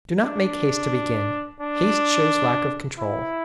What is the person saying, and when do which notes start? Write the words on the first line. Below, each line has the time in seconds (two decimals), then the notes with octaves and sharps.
Do not make haste to begin--haste shows lack of control.
0.24 D4
1.60 D4
2.99 E4